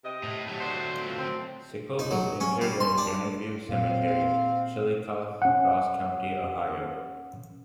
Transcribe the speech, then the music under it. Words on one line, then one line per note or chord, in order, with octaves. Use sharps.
Sickles was interred in Grandview Cemetery, Chillicothe, Ross County, Ohio.
C3 D#5
A2
F#3 A3
F#4 C5 D5
F3 C4
C4
D#4
F#3
C#4
G3
C6
D4
A#2 C4 F5
C#4 F#5